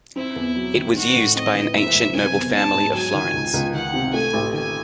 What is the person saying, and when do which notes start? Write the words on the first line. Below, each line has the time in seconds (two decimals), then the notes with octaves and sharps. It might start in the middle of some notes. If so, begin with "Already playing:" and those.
It was used by an ancient noble family of Florence.
0.16 C4 E4
0.36 E2
0.56 F#3
0.76 D#3
0.95 D#4 F#4
1.15 A2
1.35 C4 D#5
1.55 E3
1.75 F#1 E5
1.95 F#1
2.14 C3 G#5
2.34 E2
2.54 C#4 A5
2.74 G#2
2.94 F#3 G#5
3.14 D#3
3.34 C#2
3.54 C#2
3.74 D#3 F#5
3.94 C3
4.13 A3 G#5
4.33 A1
4.53 D#3 G#5